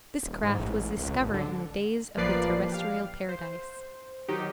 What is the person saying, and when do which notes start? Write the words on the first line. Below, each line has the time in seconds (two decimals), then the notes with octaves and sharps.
This craft was discovered in the days of the terrestrial paradise.
0.23 D#1
0.43 G#2
0.58 A1
0.97 C#2
1.21 G#1
1.34 D3
2.17 A1 F3 A#3 B4 D5 C7
2.72 G4 F5
3.29 C5
4.28 D#3 F#3 D#4 G4